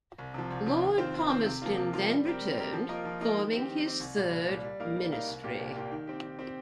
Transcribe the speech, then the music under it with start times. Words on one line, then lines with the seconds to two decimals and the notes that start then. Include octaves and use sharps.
Lord Palmerston then returned, forming his third ministry.
0.18 C2
0.34 C3 F3
0.50 C2
0.66 C3 F3
0.82 D#2
0.98 D#3 C4 F4 C5
1.14 D#2
1.30 D#3 C4 F4 C5
1.46 C3
1.62 F3 A#3 F4
1.77 C3
1.93 F3 A#3 F4
2.10 G3
2.25 C4 G4 A#4
2.41 G3
2.57 C4 G4 A#4
2.73 F3
2.89 A#3 F4 A#4 D#5
3.05 F3
3.21 A#3 F4 A#4 D#5
3.37 D#3
3.53 C4 G4
3.68 D#3
3.85 C4 G4
4.00 C2
4.16 A#2 G3
4.32 C2
4.48 A#2 G3
4.64 G3
4.80 A#3 D#4 A#4 F5
4.96 G3
5.12 A#3 D#4 A#4 F5
5.28 C2
5.43 A#2 A#3 G4
5.59 C2
5.75 A#2 A#3 G4
5.91 D#3
6.07 C4 G4
6.23 D#3
6.39 C4 G4